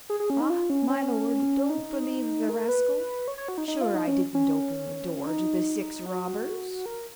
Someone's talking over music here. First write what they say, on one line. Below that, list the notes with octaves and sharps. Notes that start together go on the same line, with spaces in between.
"Ah, my lord, don't believe the rascal; sure I didn't open the door to the six robbers."
G#4
G#4
C#4
D#4
F4
C#4
C#4
D#4
A#4
B4
C#5
C#5
F#4
D#4
D#4
F4
D#4
C#4
C#4
D#4
F#4
A#4